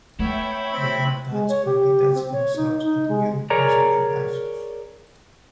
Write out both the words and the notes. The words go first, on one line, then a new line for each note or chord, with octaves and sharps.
They can attach and detach themselves at will using their byssus.
A3 B3 E4 C#5 E5 G5
C4 B5
G#3
C#5
G4
C4
C#5
D#4
D#4
G#3
G#4 A#4 C#5 D5 A#5